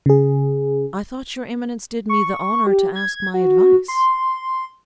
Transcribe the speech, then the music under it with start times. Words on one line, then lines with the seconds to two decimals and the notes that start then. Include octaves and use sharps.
"I thought your eminence did me the honor to ask my advice?"
0.06 C#3 G#4
2.09 C#6
2.67 G4
2.95 G#6
3.34 F#4
3.88 C6